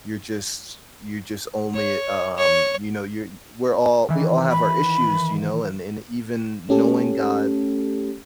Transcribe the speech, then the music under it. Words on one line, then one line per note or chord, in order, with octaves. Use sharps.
you're just you're just only, um you know, you're we're all we all have our issues, you know, and and even knowing God,
C#5
C#5
D#3 E3
B5
A3 C#4 G4 A4